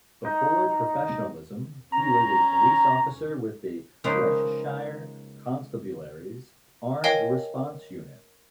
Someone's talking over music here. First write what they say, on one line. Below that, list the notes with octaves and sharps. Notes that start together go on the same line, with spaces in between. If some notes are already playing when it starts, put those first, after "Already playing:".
Before professionalism, he was a police officer with the Leicestershire Constabulary's armed response unit.
D#4
C#4 A#5
C#3 F3 G#3 A#3 D#4 B4
A#4 C#5 D#5 F5 G5 G#5